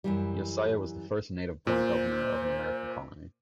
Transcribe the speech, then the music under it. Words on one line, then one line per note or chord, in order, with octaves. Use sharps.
Josiah was the first native born governor of an American Colony.
F#2 E3 G3
A#2 C5